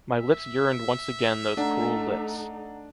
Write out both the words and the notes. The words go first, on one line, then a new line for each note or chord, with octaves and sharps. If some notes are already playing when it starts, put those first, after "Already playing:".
My lips yearned once again those cruel lips.
E5
A3 D4 D#4 F#5 A#5